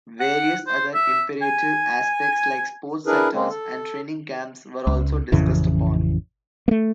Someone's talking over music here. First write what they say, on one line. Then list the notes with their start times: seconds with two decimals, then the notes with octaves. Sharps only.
Various other imperative aspects like sports centres and training camps were also discussed upon.
0.20 F#5
0.67 C5
0.94 E5
1.42 G#5
3.07 D4 E4 G#4 A#4 B4
3.33 G#3 A#3 C4
3.50 A4
4.87 C#2
5.32 A1 F2 C#3 E3
6.68 A3 A#3